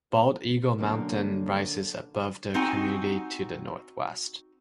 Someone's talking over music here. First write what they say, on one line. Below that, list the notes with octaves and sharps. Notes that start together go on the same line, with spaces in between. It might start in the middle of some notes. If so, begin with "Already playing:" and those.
Bald Eagle Mountain rises above the community to the northwest.
F#2 D3 A#3
C4 D#4 F#4 F#5 G#5